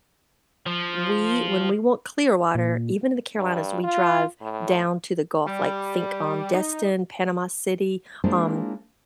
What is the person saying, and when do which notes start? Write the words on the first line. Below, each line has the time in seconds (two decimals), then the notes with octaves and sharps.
we when we want clear water, even in the Carolinas, we drive down to the Gulf, like, think, um, Destin, Panama City, um
0.66 F3
2.55 A#2
3.37 G2
3.84 F4
4.41 A2
5.47 G3
6.54 D#4
8.24 G#3 A#3 D4 E4 F4 C5